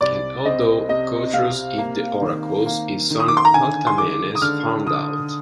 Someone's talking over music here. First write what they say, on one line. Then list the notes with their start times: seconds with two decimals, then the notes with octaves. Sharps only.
And although Catreus hid the oracles, his son Althaemenes found out.
0.01 C2 D5
0.45 C4 D#5
0.89 C3 D#5
1.33 C3 F5
1.78 A#3
2.21 D#3
2.66 A#3
3.10 D#3
3.20 D#6
3.28 D6
3.37 C6
3.45 A#5
3.54 D3 G#5
3.87 C6
3.98 G#3 D6
4.35 D#6
4.42 D3 F6
4.86 D3 D#6